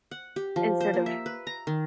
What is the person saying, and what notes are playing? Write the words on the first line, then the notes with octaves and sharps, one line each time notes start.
instead of
F#5
G4
F3
C5
A#3
E5
B4
A#5
D#3